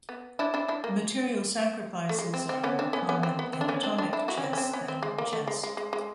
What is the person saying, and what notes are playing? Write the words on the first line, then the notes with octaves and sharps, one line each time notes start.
Material sacrifices are more common in atomic chess than in chess.
B3
D4 E4
D4 E4
D4 E4
A#3
A3
G#3
C4
C4
B3 C#4
C4 D4
B3 C#4
B3 C#4
C4
B3
C4
D4
B3 C#4
C4 D4
C4 D4
D4 E4
E4 F#4
C#4
C4
C#4
C4
B3 C#4
C4
G#3
A#3
A3
G#3
G#3
G#3
G#3